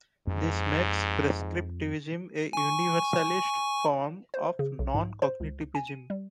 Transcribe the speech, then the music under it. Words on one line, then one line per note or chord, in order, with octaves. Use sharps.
This makes prescriptivism a universalist form of non-cognitivism.
F2 G#2
G#5 C#6
C5
C#3
B1
G#2
C5
C#2
G#5
D#7
G3